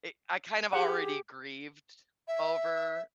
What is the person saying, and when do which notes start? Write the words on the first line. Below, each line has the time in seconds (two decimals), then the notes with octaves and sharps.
I I kind of already grieved over
0.73 G4 G#4 F#5
2.28 E5